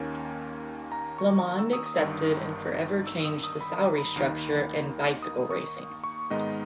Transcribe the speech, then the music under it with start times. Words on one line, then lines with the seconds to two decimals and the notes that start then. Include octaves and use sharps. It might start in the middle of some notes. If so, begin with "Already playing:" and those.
LeMond accepted, and forever changed the salary structure in bicycle racing.
Already playing: D#2 D#3 A#3 C#4 G#5
0.92 A#5
1.18 C#6
1.59 E6
1.73 D#6
1.86 D#6
1.99 G1 G2 D#3
3.07 E6
3.25 D#6
3.44 D#6
3.61 B5
3.79 A#5
3.98 B5
4.16 D#2 D#3 A#3 D#4
5.23 D#6
5.50 C#6
6.04 C#6
6.30 G#2 D#3 G#3 B3 D#4 D#5